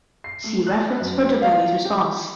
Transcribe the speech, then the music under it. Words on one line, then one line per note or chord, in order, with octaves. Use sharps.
See reference for Dobelli's response.
C7
A3
F#6
F#2
F5
G4